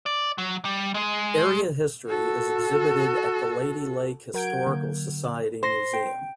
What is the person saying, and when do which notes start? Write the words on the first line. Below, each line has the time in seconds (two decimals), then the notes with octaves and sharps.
Area history is exhibited at the Lady Lake Historical Society Museum.
0.06 D5
0.38 F#3
0.65 G3
0.95 G#3
2.07 F#4 A4
4.34 F#3 A#4 F#5 G6 G#6 D7
4.66 D3 A#3
5.24 D5
5.63 C5 C6 A#6 C7
5.94 G5